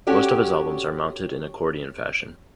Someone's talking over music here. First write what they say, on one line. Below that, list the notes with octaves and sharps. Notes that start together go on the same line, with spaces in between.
Most of his albums are mounted in accordion fashion.
C#4 F#4 G4 A4 D5